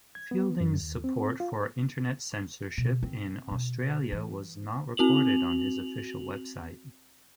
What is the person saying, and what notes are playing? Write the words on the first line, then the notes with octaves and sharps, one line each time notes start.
Fielding's support for Internet censorship in Australia was not reported on his official website.
G#6
B3
F#2
D#2
C4
F4
B2
C4
B2
E3
C4 F#4 F7 F#7